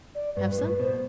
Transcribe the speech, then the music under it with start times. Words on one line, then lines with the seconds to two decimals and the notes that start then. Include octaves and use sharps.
Have some?'
0.15 D5
0.36 G2 B4
0.52 G2
0.58 A2 B4
0.79 B2 C5